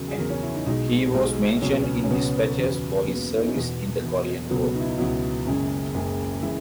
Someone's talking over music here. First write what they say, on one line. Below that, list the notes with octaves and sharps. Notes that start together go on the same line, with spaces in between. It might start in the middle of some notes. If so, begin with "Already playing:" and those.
He was mentioned in dispatches for his service in the Korean War.
Already playing: E2 C#3 F#3 A#4
G#4
E2 C#3 F#3 A#4
C#4
E4
D#4
B1 B2 G#3 D#4
B1 B2 G#3
C#2 B2 F#3 C#4
B3
C#4
C#4
C#2 B2 F#3 B3
E2 C#3 F#3
A#3
E2 C#3 F#3 B3
E4
D#4
C#4
E1 E2 B2 B3
E1 E2 B2
C#2 B2 F#3 B3
B3
D#4
E4
D#4
C#2 B2 F#3 E4
F#1 F#2 C#3 G#3
F#1 F#2 C#3 G#3
C#3 E3 G#3 E4